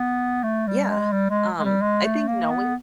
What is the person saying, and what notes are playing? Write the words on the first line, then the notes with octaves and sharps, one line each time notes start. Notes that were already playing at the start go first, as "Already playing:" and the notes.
yeah, um, I think knowing
Already playing: B3
A3
G3
G#3
G3
G#3
G#3
G3
G#3
A3
A#3
B3